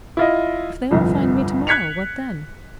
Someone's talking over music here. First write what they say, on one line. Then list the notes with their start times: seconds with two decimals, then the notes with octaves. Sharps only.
If they all find me to-morrow, what then?
0.17 E4 F4 D#5
0.91 G1 C2 F2
1.67 F#6 G#6 B6 C#7 F7